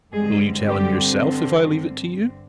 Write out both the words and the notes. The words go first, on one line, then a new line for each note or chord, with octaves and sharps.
"Will you tell him, yourself--if I leave it to you?"
G2 D3 G3 G#3 C4 G#4
G3 G4